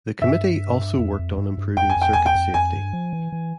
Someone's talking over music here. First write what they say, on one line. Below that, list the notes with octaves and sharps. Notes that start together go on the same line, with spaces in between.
The committee also worked on improving circuit safety.
G2 E5
F2
F2
G2
G2
F2 G5
G#5
F2
G5
E2 G#5
G5
F2
F2 G#5
G2
F3
E3
E3